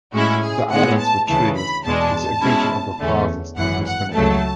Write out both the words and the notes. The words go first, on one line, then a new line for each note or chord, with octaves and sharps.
The Islands were treeless with the exemption of the farthest eastern end.
A2 G#3 C#4 E4 F#4
G#4
A2 G#3 B3 F#5
A5
D2 C#3 E3 A5
B5
E2 B2 G#3 D4 A5
B2 G#3 C#4 E4
E2 D3 A3 C#4
G#1 F#2 E3 F#5
F#5
C#2 C#3 F#3 A3 A5